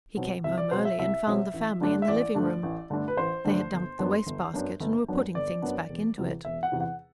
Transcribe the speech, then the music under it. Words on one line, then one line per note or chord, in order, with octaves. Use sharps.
He came home early and found the family in the living room; they had dumped the wastebasket and were putting things back into it.
B2 F#3 C4
C2 E5
D5
B2 F#3 C4 C5
E5
C2 E5
B2 F#3 C4
A1
G2 D3 A3 D4
E5
A1 D5
G2 D3 A3 D4
A1
G2 D3 A3 D4
B4
A1 C5
G2 D3 A3 D4
G1
F#2 F#3 B3 D4
G1
F#2 F#3 B3 D4
G1
F#2 F#3 B3 D4
G1 D5
F#2 F#3 B3 D4
E1
E2 C3 E3
E1 E5
F#5
E2 C3 E3
F#5